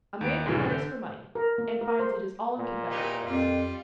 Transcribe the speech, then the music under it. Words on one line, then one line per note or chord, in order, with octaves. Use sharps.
A man who marries for money and finds it is all in Confederate bills.
D#2 D7
C2 F#2 A2 C#3 E3
D3 G6
A#4
A#3
A#4
C5
A#2
D#4 E4 G4
F2 G3 F4